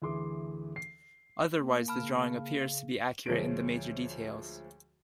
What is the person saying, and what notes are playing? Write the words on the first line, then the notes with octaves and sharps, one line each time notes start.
Otherwise the drawing appears to be accurate in the major details.
D2 E3 G#4 C6 D6
C7
A#3
C#3 A5 B5 F6
D2 F3 G#3 C#5 D7